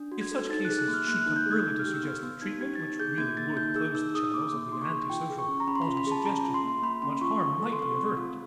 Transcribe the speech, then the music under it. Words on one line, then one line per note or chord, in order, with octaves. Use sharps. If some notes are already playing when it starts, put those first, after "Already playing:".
If such cases should come early to suggestive treatment which really would close the channels of the antisocial autosuggestion, much harm might be averted.
Already playing: D4
F#4
G#6
A4
D#4 A6
F#6
G#4
F#6
A#3
F6
A#3 F#6
F#6
D#4
G6
G#4 G#6
D#4 G6
F6
G4
E6
B3
F6
B3
D#4 G#6
G4 G#6
A6
D#4 G#6
G#4 G6
A#3 G#6
A#3 A6
D#4 G6
G#4 E6
D#4 E6
G#4 D#6
A#3 D6
A#3 D6
D#4 C6
C#6
G#4
F4 G5
G#4
C#6
C#4
A#5
C#4 B5
C6
B5
F4
B5
G#4
A5
C#4 A#5
F4
C6
A#3
A#3 B5
C#4 C6
F4 C#6
F4 C#6
A4
C6
C4 C#6
C4
F4